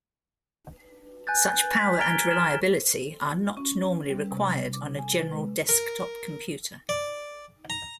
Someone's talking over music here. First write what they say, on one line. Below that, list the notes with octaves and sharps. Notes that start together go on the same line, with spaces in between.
Such power and reliability are not normally required on a general desktop computer.
G#5 F#6 G6 A6
B6
A#5 F6 G#6 A6 D7 G7
F6 E7
C#4
G3
C3
D6
G#5
B4
G#3
A#4
D5
A#5